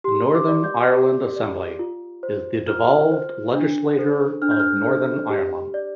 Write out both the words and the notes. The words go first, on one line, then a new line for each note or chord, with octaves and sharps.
The Northern Ireland Assembly is the devolved legislature of Northern Ireland.
G4 C6
D6
D5
G6
G4
D5
F4
C5
F4 F6
C5
D4
A4 C5
D4 F6
G6
F6
A4 C5
G4
D5